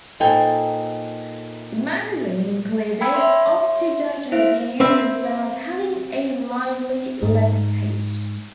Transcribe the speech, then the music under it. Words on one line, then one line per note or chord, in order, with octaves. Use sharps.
The magazine included up-to-date reviews, as well as having a lively letters page.
A#2 D#4 A4 C5 G5 G#5
G5 B5 E6 G#6 B6
C#5 E5 C6
E4 C5 E5 F5
C4 B4 E5
G#2